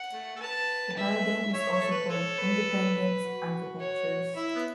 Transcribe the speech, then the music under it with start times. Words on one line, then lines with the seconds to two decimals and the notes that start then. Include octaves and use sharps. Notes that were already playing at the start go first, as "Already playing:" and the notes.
This paradigm is also called "Independence" architectures.
Already playing: F#5
0.12 A3
0.36 A4
0.40 B4 A5
0.97 E5
1.53 C#5 E5
1.72 C#5
1.82 A4
1.91 B4
2.10 A4 C#5
2.39 B4
3.23 F#4
3.80 C#5
4.36 E4 E5
4.56 B3